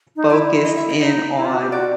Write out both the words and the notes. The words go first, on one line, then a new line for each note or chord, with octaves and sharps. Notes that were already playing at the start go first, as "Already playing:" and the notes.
focused in on
D#4
E4 D5
D#5
E5
D#5
D#4 D#5
E4
F4
F#4
G4
F#4 D5